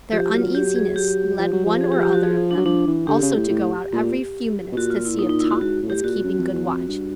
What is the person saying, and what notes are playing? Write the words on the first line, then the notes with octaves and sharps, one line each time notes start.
Their uneasiness led one or other of them also to go out every few minutes to see if Top was keeping good watch.
F3 G4
F#3 F4
G4
G#4
G4
F3
F#3
F3
G#4
G4
G4
F#4
G#4
D4
F#3
F3 D4
E3
D3 G4
C#3
A2
A2
A#2
B2
A#2 F#4
F4
E4
D#4
D#4
E4
F#4
G#2 F#4
A2
G4
A#2 F#4
F#2
F2
E2
F2
G2